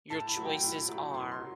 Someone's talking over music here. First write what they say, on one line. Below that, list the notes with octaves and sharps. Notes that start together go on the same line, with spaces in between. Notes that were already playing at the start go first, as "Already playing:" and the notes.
your choices are
A2 A5
B5
F#3 A3
G5
A2 B5
F#3 A3
F#2 C6
C6
F#3